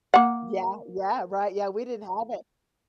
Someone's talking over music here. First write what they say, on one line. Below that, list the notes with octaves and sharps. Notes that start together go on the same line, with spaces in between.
yeah yeah, right, yeah, we didn't have it.
A#3 F#5